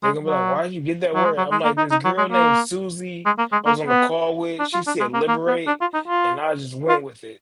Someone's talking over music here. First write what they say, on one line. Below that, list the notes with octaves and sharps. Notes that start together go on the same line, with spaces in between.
They gone be like, "Why did you get that word?" I'm like, "This girl named Suzie, I was on the call with, she said liberate, and I just went with it.
G#3
F#3
F#3
G#3
F#3
G#3
A#3
D#4
D#4
F#3
G#3
A#3
G#3
A#3
G#3
A#3
B3
D4
F4
D4
G#3
A#3
A#3
B3
D4
F4
D#4
F4
F4